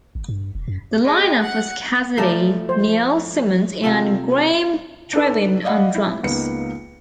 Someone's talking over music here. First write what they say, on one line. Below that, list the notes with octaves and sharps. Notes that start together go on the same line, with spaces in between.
The line-up was Cassidy, Neal, Simons and Graeme Trewin on drums.
G#1
G2
E1
F#2
G#3
F#5
F3 A3 D5 A5 A#5
C5
C3 F4 A4
D4 D#4 A4 B4
D5 D#5 F5 F#5 B5
E4
C#2 A#3 B3 D#4 B4 C#7